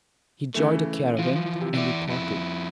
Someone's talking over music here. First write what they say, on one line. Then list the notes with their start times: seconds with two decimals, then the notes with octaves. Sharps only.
He joined a caravan, and departed.
0.55 C#3 E3 A3
1.19 E3 F3 F4
1.61 C3
1.75 E3 D5 E5
2.08 F2 E4